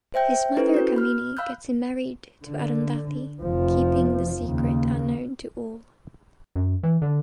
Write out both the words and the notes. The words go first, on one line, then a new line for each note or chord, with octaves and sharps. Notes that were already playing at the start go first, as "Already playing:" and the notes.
His mother Kamini gets him married to Arundhati keeping the secret unknown to all.
C5 E5 G5 G6
C#4 E4 G4 A4 B4 C5
F#4 G6
B5 F6
F5 B5 E6 F#6 G6
D3
F1 F3
D#2 C#3
F#2
E3
D3